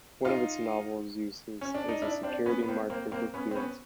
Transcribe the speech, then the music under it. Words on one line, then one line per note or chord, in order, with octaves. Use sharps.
One of its novel uses is a security marker for fuels.
D#4 F4
C#4
D4
D#4
D4 E4
C4 D4
B3 C#4
B3
A#3 C4
A#3 C4
A#3 C4
B3 C#4
C4
B3 C#4